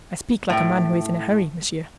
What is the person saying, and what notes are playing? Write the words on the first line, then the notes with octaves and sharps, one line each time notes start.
"I speak like a man who is in a hurry, monsieur."
A2 G5